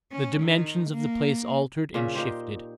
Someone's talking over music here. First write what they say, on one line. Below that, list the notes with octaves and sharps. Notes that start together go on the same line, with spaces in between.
The dimensions of the place altered and shifted.
C#4
D#3
A#3
A#2 C#3 E5
A#2 D#4 G4 C5